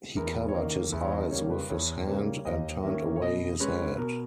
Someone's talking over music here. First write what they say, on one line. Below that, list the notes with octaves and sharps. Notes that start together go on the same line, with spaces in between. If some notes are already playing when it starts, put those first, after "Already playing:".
He covered his eyes with his hand and turned away his head.
E2 A#4
C#5
D#3 A#3 C#4 D#5
E2 E5
C#5
D#5
C#3 G3 A#3 C#5
C#5
B4
E2 C#5
C#3 G3 A#3 C#5
D#2 D#5
D#3 A#3 C#4 E5
C#5
B2 D#5
G#3 C#4 B4
B2 A#4